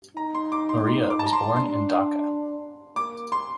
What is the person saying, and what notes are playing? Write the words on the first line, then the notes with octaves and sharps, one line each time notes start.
Maria was born in Dhaka.
D#4 A#5
C6
D6
C6
C6
D6
A5
A#5
C6
D4 C6
A#3 D6
C6